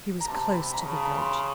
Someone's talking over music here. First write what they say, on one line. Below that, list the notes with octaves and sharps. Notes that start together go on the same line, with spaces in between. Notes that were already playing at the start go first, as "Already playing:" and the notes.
She was close to the bridge.
A#5
C3 A5
B5
A#5
C#3 B5
A5
B5
C6